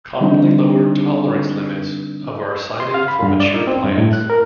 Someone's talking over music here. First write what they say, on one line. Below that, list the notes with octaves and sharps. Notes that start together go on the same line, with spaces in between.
Commonly lower tolerance limits of are cited for mature plants.
D3 G3 C4 D4 D#4
C6
F5
B5
G2
D5
D#4
C4
G2
A2
F#6
A#4